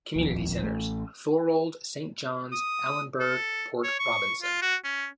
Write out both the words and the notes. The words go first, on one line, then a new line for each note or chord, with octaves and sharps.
Community centres: Thorold, Saint John's, Allenburg, Port Robinson.
D#1 A#1 F2
A1 A3
D#6
A4
C#5
C#6
F4
F#4
C#4